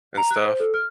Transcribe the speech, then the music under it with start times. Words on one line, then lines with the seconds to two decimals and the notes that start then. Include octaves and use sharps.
and stuff,
0.18 A#5
0.31 F#6
0.45 C5
0.60 A4
0.74 F6